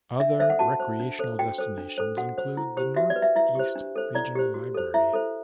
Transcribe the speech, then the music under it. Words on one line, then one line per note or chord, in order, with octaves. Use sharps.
Other recreational destinations include the Northeast Regional Library.
D4 E5
A4 C5 E5
F#5
F#4 A5
C5
D4
A4 C5
F#4 G5
A4 C5
D4
A4 C5
F#4 F#5
C5
E4
G4 C5
F#4 E5
D5
B4
E5
E4 E5
G4 C5
D4
A4 C5
E4 D5
G4 C5
F#4
A4 C5
E4 E5
A4 C5